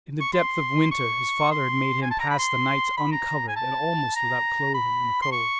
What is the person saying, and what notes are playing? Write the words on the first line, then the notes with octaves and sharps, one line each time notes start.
In the depth of winter his father had made him pass the nights uncovered and almost without clothing in the cold.
C#6
C6
C#6
C6
G#5
A5
A#5
B5
C6
B5
A#5
G#5
A5
A#5
B5
C6
C#6